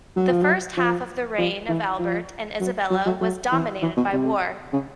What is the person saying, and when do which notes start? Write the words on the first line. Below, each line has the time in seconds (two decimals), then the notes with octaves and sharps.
The first half of the reign of Albert and Isabella was dominated by war.
0.16 F#3
0.29 F3
0.42 F#3
0.77 F3
1.38 F3
1.69 E3
1.99 F3
2.60 F#3
2.90 F#3
3.06 F#3
3.21 F#3
3.52 E3
3.82 E3
3.97 B2
4.13 C3
4.73 C#3